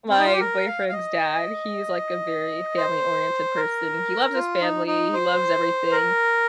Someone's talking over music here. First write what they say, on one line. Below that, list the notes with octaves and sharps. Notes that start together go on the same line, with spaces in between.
my boyfriend's dad, he's, like, a very family-oriented person. He loves his family, he loves everything,
C4
D#4
F4
G4
A#4
F5
F5
D#5
C5
A#4
F4
D#4
D#4
C5
A#4